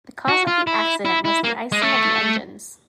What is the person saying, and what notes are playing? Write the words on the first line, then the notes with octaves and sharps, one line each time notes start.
The cause of the accident was the icing of the engines.
F#4
F4
E4
E4
E4
A#3
G#3
A3